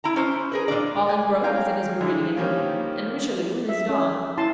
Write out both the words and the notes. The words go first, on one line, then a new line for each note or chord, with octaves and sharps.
Bolingbroke was in his meridian, and Richelieu in his dawn.
E4 A5 A#5
C#4 C5
G#4 A#4 B4
A#2 F3 D4 D5
D5 G#5
C#4 F5 G5 G#5 A#5
D3 E3 G#3
D#3 F3 G3 A#3 C#4 F4
E5
C#4
E4 A5 C6